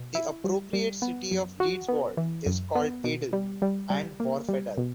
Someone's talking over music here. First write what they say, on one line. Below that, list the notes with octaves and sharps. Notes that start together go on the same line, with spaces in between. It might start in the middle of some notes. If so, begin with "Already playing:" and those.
The appropriate City of Leeds Ward is called Adel and Wharefedale.
Already playing: B2
E4
G3
G3
B3
F#2
F#4
B3
E3
F#2
B3
B2
G3
G3
G3
A#3
G3
B2